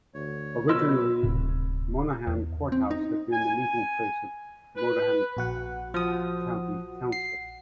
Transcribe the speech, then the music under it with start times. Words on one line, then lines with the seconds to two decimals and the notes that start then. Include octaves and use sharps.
Originally Monaghan Courthouse had been the meeting place of Monaghan County Council.
0.14 D2 C#5
0.69 B1 F4 A#4 B4 D#5 E6
1.23 D1 A2 C3
2.27 E2
2.72 C4
2.91 D#4
3.32 G#5
4.76 B4
5.37 A#1 F#4 F#5
5.94 F3 D#6
7.12 C7